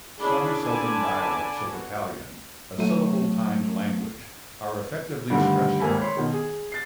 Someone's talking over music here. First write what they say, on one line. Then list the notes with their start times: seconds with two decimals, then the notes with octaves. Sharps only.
Some southern dialects of Italian, a syllable-timed language, are effectively stress-timed.
0.20 C#4 D4 E4 G#4 D5 B5
0.62 D3 D5 G#5 A5 B5
1.69 F#4
2.78 F#3 A3 D#7
5.30 G2 D3 D#3 G3 A3
5.80 G#1 A#3 A4 G#5 B5
6.00 C#5 B5 C6
6.17 B2 D#3
6.33 G#4
6.72 A6 C7